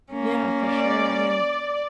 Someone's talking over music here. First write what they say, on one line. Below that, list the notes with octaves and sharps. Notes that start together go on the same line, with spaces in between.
Yeah. For sure, I mean,
A#3 C#4
D5